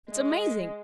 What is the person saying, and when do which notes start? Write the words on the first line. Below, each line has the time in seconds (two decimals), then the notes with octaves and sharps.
It's amazing!
0.10 G#3